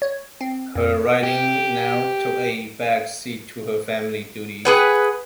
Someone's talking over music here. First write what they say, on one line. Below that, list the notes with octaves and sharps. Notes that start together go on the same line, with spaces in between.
Her writing now took a back seat to her family duties.
C#5
C4
F2
G4
G#4 B4 F#5